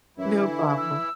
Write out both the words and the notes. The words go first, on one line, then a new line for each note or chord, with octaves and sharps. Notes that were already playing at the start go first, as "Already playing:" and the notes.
No problem.
F#2 E3 E4
D3
E6